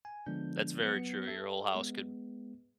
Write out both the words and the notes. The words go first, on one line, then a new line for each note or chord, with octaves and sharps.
That's very true, your whole house could
G#5
D3 F3 G#3 B3 D4 G6
F#3 B3 C#7
G4 A4 E5
G#3 B3